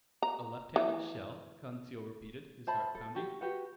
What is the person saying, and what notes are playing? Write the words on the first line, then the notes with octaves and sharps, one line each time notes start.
"A left-handed shell!" Conseil repeated, his heart pounding.
A#5
E3
C5 E5 A5 B5
A4
F#4 G4
F#4 G4 B4 F#5